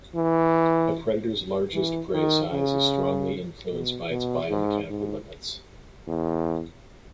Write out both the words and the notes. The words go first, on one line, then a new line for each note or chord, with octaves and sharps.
A predator's largest prey size is strongly influenced by its biomechanical limits.
E3
E3
D#3
C#3
B2
B2
G#2
G#2
E2